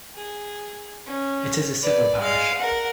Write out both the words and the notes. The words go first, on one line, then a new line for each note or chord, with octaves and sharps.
It is a civil parish.
G#4
C#4
B4 D5
G#3 F5
A#4 F#5